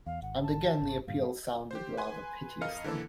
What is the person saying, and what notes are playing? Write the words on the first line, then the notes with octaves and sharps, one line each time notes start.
And again the appeal sounded rather piteously.
E2 F5
G#1 F#5
A5
G#1 C#3
G2 A#2 D3 F5
G4 C5
B4 G#5 C6
F2 A#4 D#5 F5 F6 C#7
D3 E3 A#3 E4 A4